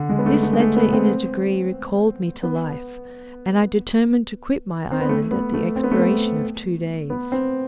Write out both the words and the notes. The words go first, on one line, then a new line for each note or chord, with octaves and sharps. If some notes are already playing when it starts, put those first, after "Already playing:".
This letter in a degree recalled me to life, and I determined to quit my island at the expiration of two days.
Already playing: D3
G#3
B3
A3
A3
G#3
A3
B3
C4
B3
C4
B3
A3
B3
A3
C4
B3
A3
B3
B3
C4